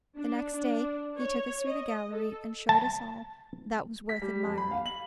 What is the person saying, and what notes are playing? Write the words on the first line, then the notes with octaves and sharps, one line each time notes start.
The next day he took us through the gallery, and showed us all that was worth admiring.'
D4
D4
C#5
D#5
A4
A5
B6
G3
F2
B5
F5
F#7